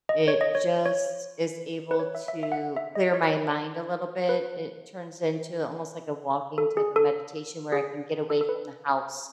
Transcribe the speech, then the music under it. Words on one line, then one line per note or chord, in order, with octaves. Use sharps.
It just is able to clear my mind a little bit. It turns into almost, like, a walking type of meditation where I can get away from the house,
D#5
C#5
D#5
C#5
C#5
B4
C#5
E5
E5
E5
F#5
E5
E5
D#5
C#5
B4
A4
G#4
A4
G#4
A4
A4
B4